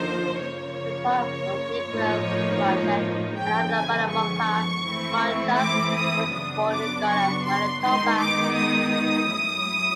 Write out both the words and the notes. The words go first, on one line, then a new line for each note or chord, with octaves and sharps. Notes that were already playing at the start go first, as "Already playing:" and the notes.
The son of Nicholas Krawchyk and Anna Mylymonka, Krawchyk was born in Garland, Manitoba.
Already playing: D3 F3 A#3 D#4 C5
C#3 F3 A#3 C#5
A2 F3 A#3 D#4
D3 F3 G#3 B3 G5
G#5
C#6
E3 A3 C4 E4
D6
D#6
C#3 F#3 B3 D4 D#6
D6
C#6
C6
D#3 G#3 B3 D#4 C6
D6
D#6
F#3 A3 C#4 E4